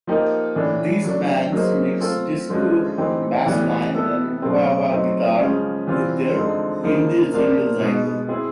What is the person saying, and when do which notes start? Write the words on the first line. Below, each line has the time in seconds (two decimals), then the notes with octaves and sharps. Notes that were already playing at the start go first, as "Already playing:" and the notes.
These bands mixed disco basslines and wah-wah guitar with their indie jingle-jangle.
0.07 F3 A#3 D#4 G4 A#4
0.56 A2 E3 A3 D4
1.04 F#3 A3 D4
1.52 F#3 A#3 D#4 G#4 C5
2.01 A3 C4 F4 A4
2.49 D3 F3 G#3 C#4 F#4
2.98 E3 A3 C4 D#4 G4
3.46 A2 E3 G3 B3
3.94 G3 B3 E4 A4
4.42 B2 F#3 A3 C4
4.90 F#3 A3 C4 D#4
5.39 C#3 F3 G#3 C#4
5.87 C3 E3 G3 C4 F4
6.35 D3 F3 G#3 C4 D#4
6.83 C#3 F3 A#3 D#4
7.32 F3 A#3 D4 F4 A#4
7.80 B2 G#3 B3
8.29 C4 E4 G#4 C5